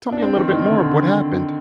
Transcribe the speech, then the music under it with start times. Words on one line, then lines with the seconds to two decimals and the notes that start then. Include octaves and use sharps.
tell me a little bit more of what happened.
0.13 D4
0.22 C4
0.36 D#3
0.51 D#3
0.66 D3
0.81 D3